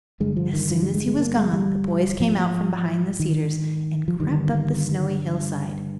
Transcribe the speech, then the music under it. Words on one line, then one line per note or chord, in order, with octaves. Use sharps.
As soon as he was gone, the boys came out from behind the cedars, and crept up the snowy hillside.
G2 D3 G#3
F3
D#3
F3
G3
G#3
G#3
A#3
G#3
G3
G#2 F3
D#3
F3
G2 D3 D#3